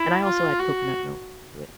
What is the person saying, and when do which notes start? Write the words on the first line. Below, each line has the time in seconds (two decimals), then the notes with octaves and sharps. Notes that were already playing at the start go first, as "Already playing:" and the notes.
and I also add coconut milk to it.
Already playing: E4
0.25 F4
0.60 F#4